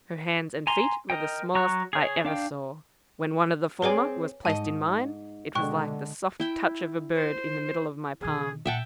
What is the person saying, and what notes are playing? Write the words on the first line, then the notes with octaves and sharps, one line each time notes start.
Her hands and feet were the smallest I ever saw; when one of the former was placed in mine, it was like the soft touch of a bird in the middle of my palm.
G#5 A#5 C6
A#4 D#5 G5
F#3 A#5 C#6 F#6
G#4 C#5
D4 F5 G5
C4 G#4 B4 C#5 D5 G#5
G#2 D#5 A5
B2 D3 G#3 G5 C#6 F#6
E4 G5
C5
B2 D#3 G#4
A#2 E5 F#5 G5 A5